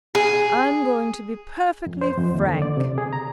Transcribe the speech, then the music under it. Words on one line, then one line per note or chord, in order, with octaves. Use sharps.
'I'm going to be perfectly frank.
G#4
F2
C5
F2
D#2
D3
D5
C3
G#4
A#5